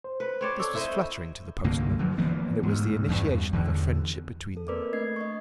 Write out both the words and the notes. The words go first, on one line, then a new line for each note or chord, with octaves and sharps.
This was flattering to the postman, and it was the initiation of a friendship between them.
C5
B4
C4 C#5 D5
D4 A4 C#6 E6
E4 C5 D#5
C2 G2 D3 A#3
D3 F3 F#3
E3 F3 A#3 B3
D2 G#2
E2 G2
E2 D3
A4
A#3 C4 A#4 B4 D5 D6
A3 D4 D#5 G#6 C7
D#5 C#6